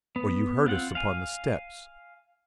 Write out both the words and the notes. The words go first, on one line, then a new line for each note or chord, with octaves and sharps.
Or you heard us upon the steps?
B3
C4 F4 F#5
F5 G#5